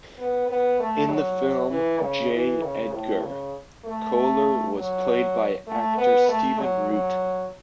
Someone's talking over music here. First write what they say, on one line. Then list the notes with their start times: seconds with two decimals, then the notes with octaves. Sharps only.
In the film "J. Edgar" Koehler was played by actor Stephen Root.
0.18 B3
0.48 B3
0.80 A3
1.10 F#3
1.70 E3
2.01 C#3
2.32 E3
2.63 C#3
2.93 A2
3.23 C#3
3.85 A3
4.76 F#3
5.67 A3
5.97 B3
6.29 A3
6.59 F#3
6.90 F#3